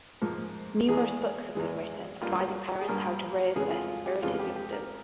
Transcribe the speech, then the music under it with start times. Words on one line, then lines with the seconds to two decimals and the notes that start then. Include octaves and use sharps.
Numerous books have been written advising parents how to raise their spirited youngsters.
0.22 G#2 F3 A#3
0.89 E2 E3 G#3 G#4
1.55 E2 E3 G#3
2.22 G2 G3 A#3 F4
2.81 G#4
2.88 G2 G3 A#3 A#4
3.55 F2 C#3 E3 G#3 G#4
3.72 F4
3.89 F4
4.06 G4
4.22 F2 C#3 E3 G#3 F4
4.40 G4
4.56 G4
4.72 A#4